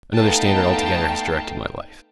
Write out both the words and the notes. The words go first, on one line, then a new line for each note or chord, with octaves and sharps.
Another standard altogether has directed my life....
A3 B3 D#4 F5 G5 A5